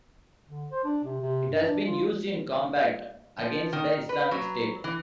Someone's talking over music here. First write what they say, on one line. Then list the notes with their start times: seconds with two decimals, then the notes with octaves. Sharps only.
It has been used in combat against the Islamic State.
0.48 D3
0.71 C5
0.85 D4
1.04 C3
1.22 C3
1.49 G2
1.66 D4
1.87 F4
3.38 F3
3.73 D#3
4.09 B4
4.31 F#3
4.84 E3